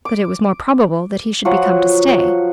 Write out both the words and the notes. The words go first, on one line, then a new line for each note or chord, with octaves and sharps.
But it was more probable that he should be come to stay.
D6
F3 F#3 F#5